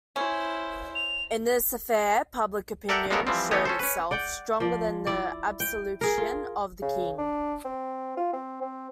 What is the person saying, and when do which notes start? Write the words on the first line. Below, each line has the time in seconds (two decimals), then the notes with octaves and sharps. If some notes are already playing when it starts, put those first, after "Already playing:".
In this affair public opinion showed itself stronger than the absolutism of the king.
0.16 C#4 E4 C5
0.95 F7
2.89 A4 A#4 D5 E5 F#5 G5
3.10 G#3 A#3 B3 C#4 A4 A#4
3.27 E3 F3 G3 C4
3.51 E3 A3 B3 G4 C#5 D#5
3.65 C#4 A4 C5
3.79 C#4 B4
4.11 D5 F#5 G5
4.60 F3 D5
5.07 E4 D5
5.60 G5
6.01 G#4 A#4
6.18 F4
6.82 C#3
7.18 D4
7.65 C4
8.17 F4
8.33 C4
8.62 C4